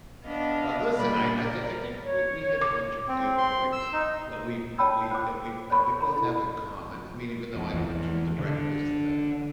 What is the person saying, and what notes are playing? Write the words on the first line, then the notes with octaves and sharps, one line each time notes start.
But listen, I I thi I think we we hit a bunch of good points that we that we that we, that we both have in common. I mean, even though I don't do the breakfast thing,
B3 D4 D#5 F5
A#2 G3 D5 B5
A#4 D5
C#5
D6
C4
C6
E6
D#4
D#4 C#5 G5 A5 B5 E6
C5 G5 D6
C5 C#5 B5 C#6
A#5 B5
E4
F2
E2
D3